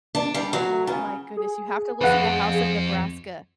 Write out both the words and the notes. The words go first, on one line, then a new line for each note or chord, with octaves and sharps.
Oh my goodness, you have to listen to House of Nebraska.
D4
G3
F#3
C#3
G#4
F2 B4 F#5